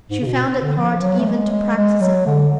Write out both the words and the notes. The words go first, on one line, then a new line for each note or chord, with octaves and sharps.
She found it hard even to practice at home.
G#2
C#3
B2
D3
F3
F#3
A3
G#3
G#3
G#3
F#3
D3